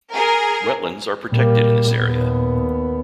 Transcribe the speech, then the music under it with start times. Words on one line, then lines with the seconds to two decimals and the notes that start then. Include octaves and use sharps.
Wetlands are protected in this area.
0.12 G#4 A#4
1.32 A#2 G3 A#3
1.97 D#2 B3